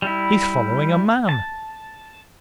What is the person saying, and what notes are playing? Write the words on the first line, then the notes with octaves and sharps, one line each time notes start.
"He's following a man!"
G3 E4
A5